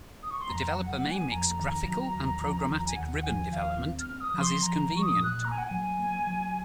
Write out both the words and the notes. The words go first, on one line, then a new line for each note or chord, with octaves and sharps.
The developer may mix graphical and programmatic ribbon development as is convenient.
D#6
C#6
C6
F2 A#5
F#5
F#3
F#5
A#3
G#5
F2 A#5
D#3
F#3
D#2
F3
D#2
A#5
G#5
D#2 F#5
F3 G#5
D#2 F5
C4
F6
C4
D#6
F3
C6
F3 A#5
A#5
F3
C#6
D#6
A#2
F#6
A#3 A#5
G#5
F#5
G#5
F#3
A#3
F#3